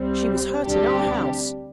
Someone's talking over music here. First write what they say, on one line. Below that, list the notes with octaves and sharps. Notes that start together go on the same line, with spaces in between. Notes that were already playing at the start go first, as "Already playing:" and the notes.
She was hurt in our house.
Already playing: C2 C3 G3 C4
D2 C3 G3 D4 G4